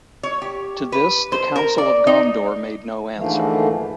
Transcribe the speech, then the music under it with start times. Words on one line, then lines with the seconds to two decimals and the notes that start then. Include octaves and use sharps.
To this, the Council of Gondor made no answer.
0.23 C#5
0.42 G4
0.92 B4
1.32 C5
1.56 A#4
1.78 D5
2.07 D#4
3.16 G#2 D3 E3 F3 A3 A#3